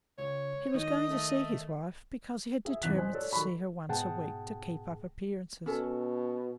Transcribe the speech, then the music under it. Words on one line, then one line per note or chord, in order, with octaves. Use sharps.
He was going to see his wife, because he had determined to see her once a week to keep up appearances.
C#2 C#5
D#3 G#3 D#4 D#5
A3
G#4 E5
A1 E2 G#2 C3 F#6 B6
C5 D#5 G#5
A4 C#5 D5
D#3 F#3 A4 B5 C#6
G#2 B2 G#4 F#5 G5 A5
B2 C#4 A4